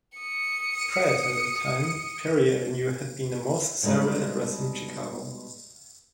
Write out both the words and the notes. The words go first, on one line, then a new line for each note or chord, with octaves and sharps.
Prior to that time, Prairie Avenue had been the most desirable address in Chicago.
D#6 C#7
B2 G3 G#3 D#4